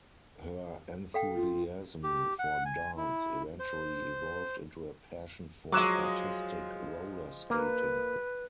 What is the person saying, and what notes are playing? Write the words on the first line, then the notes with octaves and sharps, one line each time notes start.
Her enthusiasm for dance eventually evolved into a passion for artistic roller skating.
A4 F5 G5
F4
G4
F#5
G#5
E4
C5
F3 F#3 G#3 D6 F#6 E7
A#3 B4